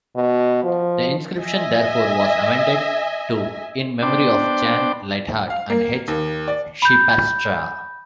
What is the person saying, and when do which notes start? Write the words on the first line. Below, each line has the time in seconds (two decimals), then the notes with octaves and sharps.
The inscription therefore was amended to "In memory of Jan Ligthart and H. Scheepstra".
0.16 B2
0.63 F3
1.40 D#5 E5 G#5
4.02 B3 D4 C5 D5 G5
5.50 F5
5.70 A#3
6.08 D#2
6.48 D5
6.82 B5 G6